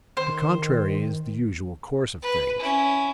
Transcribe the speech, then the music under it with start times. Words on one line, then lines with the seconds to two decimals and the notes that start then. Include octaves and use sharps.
The contrary is the usual course of things.
0.17 D#3 C5
2.23 B4
2.59 C#4 E4